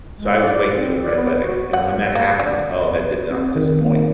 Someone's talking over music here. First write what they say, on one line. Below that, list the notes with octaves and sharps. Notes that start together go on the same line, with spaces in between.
so, I was waiting for the Red Wedding, and when that happened, oh, that did not disappoint.
G#3
D5
B4
C4
D5
B3
B4
F#4
F#5
A#3
D3
B4
C4
D#3
A#3